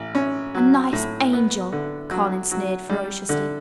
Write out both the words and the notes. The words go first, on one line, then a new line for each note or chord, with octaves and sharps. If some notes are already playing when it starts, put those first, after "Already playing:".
"A nice angel!" Colin sneered ferociously.
Already playing: A1
C#4
F#3
A2
B3
D3
F#3
F#3
G3
D3